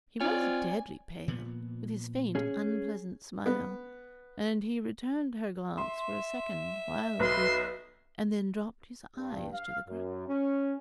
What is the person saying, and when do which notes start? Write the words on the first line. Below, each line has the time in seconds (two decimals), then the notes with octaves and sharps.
He was deadly pale, with his faint unpleasant smile; and he returned her glance for a second wildly, and then dropped his eyes to the ground.
0.21 C4 F4 C#5 D5 G#5
1.28 A#2 F3 B3
2.35 C#4 G#4
3.46 B3
5.78 E5 C6
7.20 B1 B4 C6
9.17 G2
9.53 F5
9.88 F#2
10.28 C#4